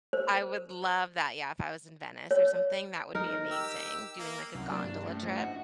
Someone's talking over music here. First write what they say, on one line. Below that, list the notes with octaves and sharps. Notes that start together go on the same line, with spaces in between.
I would love that, yeah, if I was in Venice or something, that would be amazing, doing, like, a gondola trip.
C5
C#5
D#4 A#4
G4 E6
A#3
C2 F#2
F#3 A#3 D4
G2
A2 A3 C#4
F3
D4 F#4 D#5